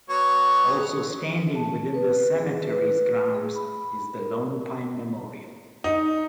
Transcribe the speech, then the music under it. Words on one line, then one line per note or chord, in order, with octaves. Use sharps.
Also standing within the cemetery's grounds is the Lone Pine memorial.
F#3 B3 C#5
A5
B4
G#4
B4
G#4
B5
A#4
D#4